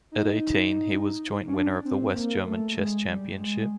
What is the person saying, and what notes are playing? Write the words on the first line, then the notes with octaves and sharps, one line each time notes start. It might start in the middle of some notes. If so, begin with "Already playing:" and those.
At eighteen, he was joint winner of the West German Chess Championship.
D#4
C#4
D4
C4
A#3
A3
G#3
G3
G#3
G#3